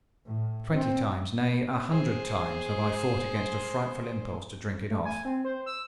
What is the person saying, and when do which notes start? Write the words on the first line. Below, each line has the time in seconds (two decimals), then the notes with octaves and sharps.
Twenty times, nay, a hundred times, have I fought against a frightful impulse to drink it off.
0.25 A2
0.73 C4
1.89 G#4 C5
4.90 A3
5.05 G#5
5.25 C4
5.45 C5
5.66 E6